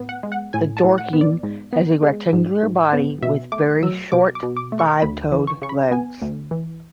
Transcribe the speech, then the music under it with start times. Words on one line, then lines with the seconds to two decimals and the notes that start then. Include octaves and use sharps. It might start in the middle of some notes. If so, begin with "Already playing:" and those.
The Dorking has a rectangular body with very short, five-toed legs.
Already playing: A2 B3
0.09 F#5
0.23 G#3
0.32 F#5
0.53 A2 G#5
0.77 A5
0.84 A2
0.98 F#5
1.13 B3
1.21 D5
1.43 G#2
1.73 B3
2.03 G#3
2.33 G#2
2.63 G#2
2.93 B3
3.22 B2 E5
3.52 A3 D6
3.83 F#3 E6
4.12 B2 D6
4.35 D6
4.43 B2
4.57 D6
4.72 A3
4.79 C#6
5.02 D2 B5
5.32 E3
5.47 C#6
5.62 C#3 C#6
5.69 B5
5.91 B3 G#5
6.22 D2
6.51 E3